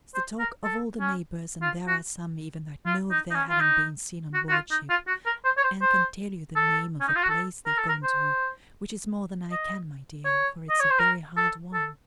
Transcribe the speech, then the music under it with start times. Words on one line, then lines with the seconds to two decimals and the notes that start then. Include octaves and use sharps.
'It's the talk of all the neighbours, and there are some even that know of their having been seen on board ship, and can tell you the name of the place they've gone to, which is more than I can, my dear, for it's a very hard one.'
0.15 C5
0.39 A#4
0.64 A4
1.00 C#4
1.62 F4
1.88 F#4
2.86 F4
3.11 D#4
3.31 D#4
3.35 C#4
3.50 F4
3.60 D#4
4.34 F#4
4.49 F#4
4.52 F4
4.71 D#4
4.90 F4
5.07 F#4
5.26 A#4
5.45 C5
5.57 C#5
5.64 C5
5.82 C5
6.56 A4
7.00 C#4
7.08 D#4
7.16 F4
7.23 F#4
7.30 A4
7.66 A#4
7.78 A4
7.89 A#4
8.04 C5
9.52 D#5
10.25 C#5
10.69 D#5
10.80 C#5
10.90 C5
10.99 A#4
11.37 A4
11.74 A4